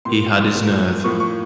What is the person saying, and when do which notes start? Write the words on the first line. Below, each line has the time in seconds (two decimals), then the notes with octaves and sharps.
He had his nerve.
0.05 A2 F3 A#3 C6
0.55 A2 F3 A#3
1.04 A2 F3 A#3 C#6
1.20 C#6